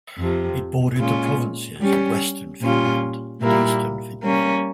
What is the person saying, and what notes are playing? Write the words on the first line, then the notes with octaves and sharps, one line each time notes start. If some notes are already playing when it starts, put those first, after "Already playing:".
It bordered the provinces of Western Finland and Eastern Finland.
F2 C3 F3
A#2 G#3 C#4 F4
G3 C#4 G4
A#2 G3 C#4 F4
A#2 G3 A#3 E4
G3 A#3 C#4